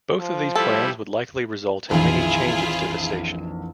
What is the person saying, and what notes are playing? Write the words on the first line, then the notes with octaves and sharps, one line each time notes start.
Both of these plans would likely result in many changes to the station.
F3
G3 E4 A4
A#1 F2 D#3 E3 E4 F4 G#4